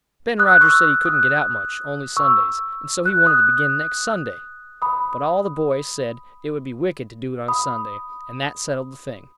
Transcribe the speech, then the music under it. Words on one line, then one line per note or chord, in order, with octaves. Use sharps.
Ben Rogers said he couldn't get out much, only Sundays, and so he wanted to begin next Sunday; but all the boys said it would be wicked to do it on Sunday, and that settled the thing.
D#6 F#6
C#6 E6
D#6 F#6
C#6 E6
F#6
D#6 F#6
B5 D#6
B5 D#6